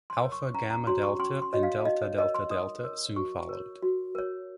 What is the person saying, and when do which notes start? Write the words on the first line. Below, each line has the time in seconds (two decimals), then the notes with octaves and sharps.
Alpha Gamma Delta and Delta Delta Delta soon followed.
0.10 C6
0.21 A#4 C#5
0.32 C#6
0.54 C#4 A#5
0.70 A#5
0.87 F#4 C#5 C6
1.03 C#6
1.19 C#4 C6
1.42 C6
1.53 F#4 C#5 D#5
1.63 F5
1.85 D#4 D#5
2.02 C#5
2.18 A#4 C#5 D#5
2.35 C6
2.50 D#4 D#6
2.84 A#4 C#5
3.16 F#4 C#6
3.49 A#4 C#5
3.82 F#4
4.15 A#4 C#5